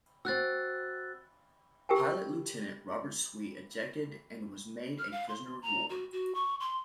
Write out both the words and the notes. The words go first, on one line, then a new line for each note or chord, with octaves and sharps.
Pilot Lieutenant Robert Sweet ejected and was made a Prisoner of War.
C4 F#4 E6 F#6 A6
G4 A#4 G5 A5
F6
F5
C6
A#5
F#4
F#4
C#6
C6